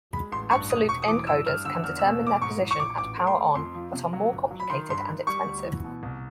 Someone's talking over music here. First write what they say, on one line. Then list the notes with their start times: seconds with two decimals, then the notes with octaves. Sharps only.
Absolute encoders can determine their position at power-on, but are more complicated and expensive.
0.13 G#3 B5
0.32 A1 C6
0.51 G2 C#6
0.70 E1 D#6
0.89 E1 C#6
1.02 D#6
1.08 E3 D6
1.27 G2 E6
1.46 G2 F6
1.65 D3 E6
1.84 E2 F6
1.99 E6
2.03 B2
2.23 E1 D6
2.42 G#2 C#6
2.60 E3
2.71 C#6
2.80 A#1 D6
2.98 A1 D6
3.18 A3
3.27 C6
3.36 A3
3.55 F2 C6
3.74 F3
3.93 C3
4.13 F#3
4.32 G1
4.51 F#3
4.60 B5
4.70 D#3 C6
4.89 G2 C6
4.98 B5
5.08 D#3
5.27 G3 C#6
5.45 D2
5.65 E3
5.84 B2
6.03 C2